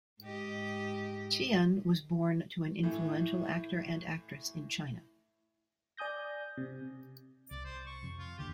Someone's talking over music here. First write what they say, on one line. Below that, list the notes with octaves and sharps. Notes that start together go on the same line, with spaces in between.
Tian was born to an influential actor and actress in China.
G#2 G4 D#5
A2 E3
D5 G#5 D#6 G6 A#6
C3
C2 D5
C5
C#6
F2 C3
F4
F#1 D#2 D3 G4